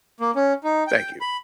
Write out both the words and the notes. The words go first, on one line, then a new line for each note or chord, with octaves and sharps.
Thank you.
A#3
C#4
D#4
G5
B5